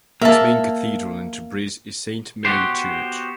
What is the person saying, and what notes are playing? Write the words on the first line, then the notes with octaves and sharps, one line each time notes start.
Its main cathedral in Tabriz is Saint Mary Church.
A#3 E5 A5
B3 F#4 G4 C5